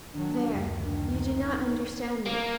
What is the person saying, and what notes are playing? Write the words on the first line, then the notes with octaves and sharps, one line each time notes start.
There--you do not understand me.
D#3 F#3 D4
F#1 D2 D#3
D4
D#4
A#3